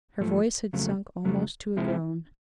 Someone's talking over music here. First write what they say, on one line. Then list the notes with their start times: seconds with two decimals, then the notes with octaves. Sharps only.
Her voice had sunk almost to a groan.
0.20 G#2 F3 A3
0.73 F2 C#3 F#3 A3
1.25 F2 C#3 F#3 A3
1.77 C3 F3 G#3 C4 E4